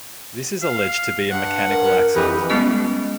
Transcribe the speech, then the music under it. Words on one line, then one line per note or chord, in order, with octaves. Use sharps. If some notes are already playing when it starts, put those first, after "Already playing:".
This is alleged to be a mechanical accident.
F5
G2 F#5
A#4
F2 E3 D#4 G4 B4
G3 G#3 B3 C#4 F4 D#5